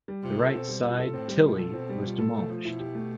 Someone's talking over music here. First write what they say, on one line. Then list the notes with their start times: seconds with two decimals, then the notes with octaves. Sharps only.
The right-side Tillie was demolished.
0.08 G3
0.23 C3 F4
0.39 A4
0.53 B2 C4
0.68 G3
0.84 F4
0.98 A4
1.13 A2 C4
1.28 G3
1.44 B2 F4
1.59 A4
1.74 C4
1.89 G3
2.04 F4
2.19 A4
2.34 B2 A3
2.50 F3
2.64 B2 E4
2.79 G4
2.95 A3